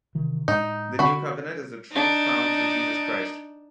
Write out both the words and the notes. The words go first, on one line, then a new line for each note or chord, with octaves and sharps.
The New Covenant is the truth found through Jesus Christ.
C3 D#3 E3
A2 G#3 D#4
D3 F#4 B5
D4 D#4